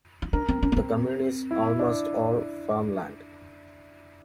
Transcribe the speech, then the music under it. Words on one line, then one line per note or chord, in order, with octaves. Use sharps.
The commune is almost all farmland.
D#4
D4 A#4
C4
C#4
B3
C4
E4
D4